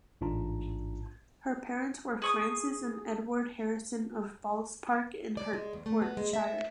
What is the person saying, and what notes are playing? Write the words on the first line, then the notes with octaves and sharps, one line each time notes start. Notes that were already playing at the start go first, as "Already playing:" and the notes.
Her parents were Frances and Edward Harrison of Balls Park in Hertfordshire.
A1 G#2 D4 F4 A5 A#5
G#4 C#6 D#6
D5
G#3
E2
A3
B3
G#3
E5